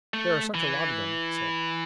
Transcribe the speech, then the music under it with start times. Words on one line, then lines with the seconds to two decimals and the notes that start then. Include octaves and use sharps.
"There are such a lot of them," he said.
0.14 A3
0.54 E3